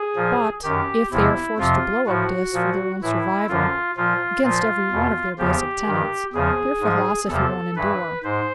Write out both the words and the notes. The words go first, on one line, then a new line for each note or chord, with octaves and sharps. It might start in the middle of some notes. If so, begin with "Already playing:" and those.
But if they are forced to blow up Dis for their own survival--against every one of their basic tenets--their philosophy won't endure.
Already playing: G#4
A#2 F3
F#2 D#3 G4
E2 C3 F3 E4
F2 C3 F3 F4
A2 F3 F#4
A#2 F3
A2 E3 E4
F#2 D3 F3 F4
A#2 F3 F4
A#2 F3 F4
E2 B2
E2 C#3 F3 G4
G2 D#3
E2 C#3 F3 G#4
G#2 F3
E2 C3 F3 A4
G2 E3 B4
G#2 C5